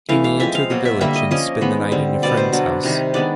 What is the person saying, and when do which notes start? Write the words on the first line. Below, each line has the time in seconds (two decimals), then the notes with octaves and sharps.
He may enter the village and spend the night in a friend's house.
0.09 E3 A3 C#4 F5
0.24 F5
0.40 F3 G#3 C4 E5
0.55 F5
0.70 B2 F#3 A#3
0.85 E5
1.01 D3 G3 A#3 E5
1.15 D#5
1.31 F3 A#3 C#4 D#5
1.61 D#3 G#3 B3
1.92 D3 G3 C4
2.22 B2 G3 B3 D5
2.37 C5
2.52 F#3 B3 D4
2.83 C3 D#3 G3
3.14 D#3 G#3 B3 D4 D5